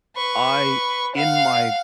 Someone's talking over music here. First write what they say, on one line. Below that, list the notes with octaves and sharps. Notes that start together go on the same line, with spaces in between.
I, in my
B4 C#6
F5 F#5